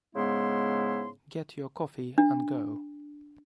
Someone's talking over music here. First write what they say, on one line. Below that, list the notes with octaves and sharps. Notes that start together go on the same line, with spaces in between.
Get your coffee and go.
G#2 C#3 G#3 B3 E4 C6
D4